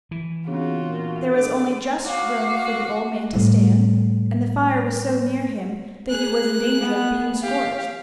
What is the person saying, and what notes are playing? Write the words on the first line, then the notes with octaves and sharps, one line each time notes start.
There was only just room for the old man to stand, and the fire was so near him that he was in danger of being scorched.
E3
C#3 B3 C4 D4 F4 F#4
A#2
A#1 D4 A4 C5 D6
F#4 F5 D6
A2 G3
G#4 F#6
B3
G4 F5